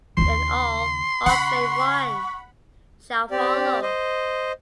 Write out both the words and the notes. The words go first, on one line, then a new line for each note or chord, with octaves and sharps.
Then all - all save one - shall follow!
D#2 C#3 C6
C#3 F#5 B5 C#6
C4 G4 D5
C5 D#5